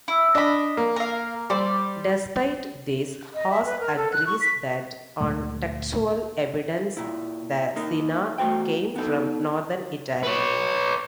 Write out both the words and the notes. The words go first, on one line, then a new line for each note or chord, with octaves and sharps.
Despite this, Hass agrees that on textual evidence the "Cena" came from northern Italy.
E4
D4 D#5 B5
A#3
A#4 F5
G3 C5 D5
D#5
E5
B4
A#4
A4
F#6
C#6
B6
D2 A#2 G#3 A3
A#2 E4
A#3 D#4 A#4
E2 A3 F#4 C5 G5
B3 D#4 A4
B4 C#5